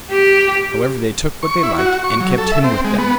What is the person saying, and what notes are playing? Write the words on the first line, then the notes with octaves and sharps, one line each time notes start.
However they took what they liked, and kept him with them.
G4
C#6
E4
F#4
C#6
F#3
A4
E5
C4
G#3
B3